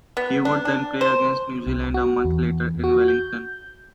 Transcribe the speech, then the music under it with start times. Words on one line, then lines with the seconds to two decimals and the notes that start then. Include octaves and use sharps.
He would then play against New Zealand a month later in Wellington.
0.17 B3
0.45 D4
0.65 D4
1.01 C5
1.67 C2
1.94 F#4
2.25 E2
2.84 F#4
3.08 G6